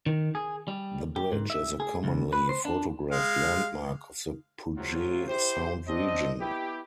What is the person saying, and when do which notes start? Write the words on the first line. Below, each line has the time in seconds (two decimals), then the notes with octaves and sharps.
The bridge is a commonly photographed landmark of the Puget Sound region.
0.06 D#3
0.35 G#4
0.68 G3
1.16 G4
1.32 G#2
1.50 E5
1.80 G#4
2.04 C#2
2.33 B4
2.49 C5
2.65 D4
3.11 G#3 F5
4.78 A2 C3 F#3 F4
5.28 E4 G4 C5
5.88 C4 D4 D#5
6.40 B3 E4 G4